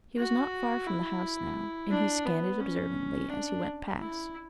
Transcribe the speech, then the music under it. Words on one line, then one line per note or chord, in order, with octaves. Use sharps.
He was not far from the house now and he scanned it observantly as he went past.
F#4
E4
D4
B3
C#4
D4
E4